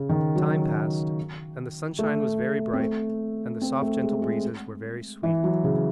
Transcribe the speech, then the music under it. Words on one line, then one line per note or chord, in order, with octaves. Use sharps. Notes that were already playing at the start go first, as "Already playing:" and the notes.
Time passed and the sunshine was very bright and the soft, gentle breezes were very sweet.
Already playing: C#3
D#3
F#3
A3
C4
A3
C4
A3
G#3
G#3
E3
F#3
C#3